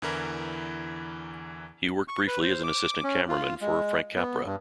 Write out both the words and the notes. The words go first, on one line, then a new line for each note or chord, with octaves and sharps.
He worked briefly as an assistant cameraman for Frank Capra.
E2 D3 E3 E4 A#4 B5
C#6
B4
C5
D6
C#4
F4
G#3
B3
G2